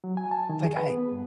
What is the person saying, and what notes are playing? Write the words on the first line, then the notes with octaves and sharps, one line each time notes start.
like I
F#3
G#5
A5
D#3
G#4
B4
B3
G2